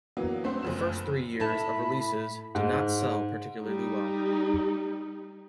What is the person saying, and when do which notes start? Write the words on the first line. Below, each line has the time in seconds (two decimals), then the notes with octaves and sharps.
The first three years of releases did not sell particularly well.
0.17 E3 F#3 A#3 B3
0.44 A3 C4 F#4 C6
0.63 F#1 F2 E7
1.40 A2 E4 A4 A5 B5
2.55 G#2
3.62 G3 D#4